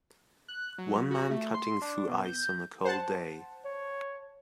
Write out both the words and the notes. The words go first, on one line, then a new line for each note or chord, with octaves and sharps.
One man cutting through ice on a cold day.
F#6
F#3
F#4
A3
C6
D4
B2
G6
C5 F#5 A5
C#5